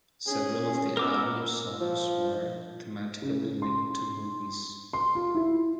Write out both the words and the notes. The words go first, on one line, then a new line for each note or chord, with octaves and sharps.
Several of the album's songs were thematically linked to movies.
C#4 G#4
B3 A#4 D6 E6
F3
C#3
C6
C6
F4
E4